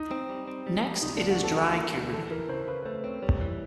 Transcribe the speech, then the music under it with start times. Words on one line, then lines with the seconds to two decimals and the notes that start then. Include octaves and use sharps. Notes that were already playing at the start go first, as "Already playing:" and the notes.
Next it is dry-cured.
Already playing: D#4
0.11 C4
0.29 G3
0.48 C4
0.67 G3
0.84 G3
1.02 C3 D#4
1.16 D4
1.21 D2
1.30 F#4
1.40 C3 A4
1.58 D2
1.75 A#3
1.94 D2
2.13 E3 A4
2.30 E3 A#4
2.49 C#3 C5
2.68 C#3 B4
2.82 B4
2.85 A3 C5
3.04 C4 C#5
3.22 G3 C#5
3.41 E3